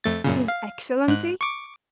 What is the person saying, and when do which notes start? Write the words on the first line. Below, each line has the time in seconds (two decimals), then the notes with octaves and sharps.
'His excellency!
0.04 F2 A3 A6
0.24 F#2 A#2 C#3
0.48 F5
1.08 G#2 F#6
1.41 C#6 D6